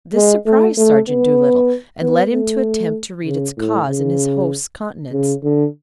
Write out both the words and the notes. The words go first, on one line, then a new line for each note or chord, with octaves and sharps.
This surprised Sergeant Doolittle and led him to attempt to read its cause in his host's countenance.
G#3
A3
A3
B3
B3
A3
C#3
A2
C#3
C#3
D3